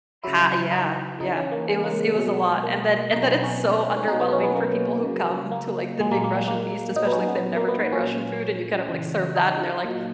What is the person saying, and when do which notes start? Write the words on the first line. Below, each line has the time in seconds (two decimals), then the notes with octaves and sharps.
Ha yeah, yeah. It was it was a lot, and then and then it's so underwhelming for people who come to, like, the big Russian feast, especially if they've never tried Russian food and you kind of, like, serve that and they're like,
0.24 C#3 F#3 E4
0.71 D#4
1.21 C#3 E3 D#4
1.37 C#4
1.52 A#3
1.69 G#3
1.84 A#3
1.99 G#3
2.15 B2 F#3 G#3
2.63 A#3
3.11 B2 F#3 D#4
3.22 C#4
3.33 B3
3.43 C#4
3.97 C#4
4.07 B2 F#3 D#4
4.20 B3
4.33 C#4
4.44 B3
4.55 A#3
5.05 C#3 F#3
5.51 A#3
6.00 A#2 F#3 G#3
6.11 A#3
6.24 A#3
6.35 A#3
6.48 A#3
6.95 A#2 F#3 D#4
7.07 B3
7.12 C#4
7.28 B3
7.56 A#3
7.69 B3
7.80 B3
7.92 A#2 F#3 C#4
8.88 C#3 E3
9.36 D#4
9.85 A#2 F#3